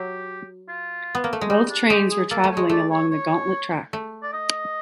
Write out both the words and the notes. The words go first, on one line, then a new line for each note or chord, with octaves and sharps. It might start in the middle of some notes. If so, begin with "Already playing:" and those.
Both trains were traveling along the gauntlet track.
Already playing: F#3 G4
F4
B3
A#3
A3
G#3
G3 D#4
D4
G#3 G4
G#4
A#3 A4
A3
C#5
G#3
A3 D5
C#5
C#5
A3
D5
D#5